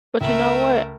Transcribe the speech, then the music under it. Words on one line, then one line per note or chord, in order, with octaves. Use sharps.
But, you know what?
C#2 A3 A#4 E5